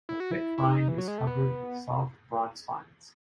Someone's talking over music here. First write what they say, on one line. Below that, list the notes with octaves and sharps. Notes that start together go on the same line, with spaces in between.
The thick rind is covered with soft, broad spines.
E4
F#4
E4
E4
D#4
E3
F#3
G#3
A3
B3